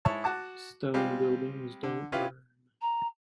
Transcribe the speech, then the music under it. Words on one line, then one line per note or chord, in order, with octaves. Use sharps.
Stone buildings don't burn.
G#2 E4 C#5 A5
F#4 F#5 A5 D6
G3 G#3 C4 F4 G4
D3
C#4 E4 F4 G4 B4
A#5